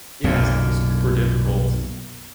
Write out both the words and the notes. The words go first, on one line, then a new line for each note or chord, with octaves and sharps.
Yeah, that sounds super difficult.
B1 F#2 A#2